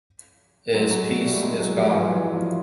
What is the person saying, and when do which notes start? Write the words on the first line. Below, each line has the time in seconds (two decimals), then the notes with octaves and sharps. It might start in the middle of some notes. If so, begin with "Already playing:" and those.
Its peace is gone!
0.74 F#3 G#3
0.91 F#3 G#3
1.08 G3 A3
1.25 G3 A3
1.42 F#3 G#3
1.60 F#3 G#3
1.76 F3 G3
1.94 E3 F#3
2.10 E3 F#3
2.34 F3 G3